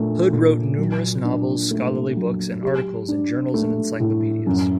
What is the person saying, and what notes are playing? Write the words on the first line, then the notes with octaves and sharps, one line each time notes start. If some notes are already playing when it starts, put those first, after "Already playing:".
Hood wrote numerous novels, scholarly books and articles in journals and encyclopedias.
Already playing: A#2 A3 D4
A#2
F#3
D4
A3
F#3
G4
D4
A3
A2
F#2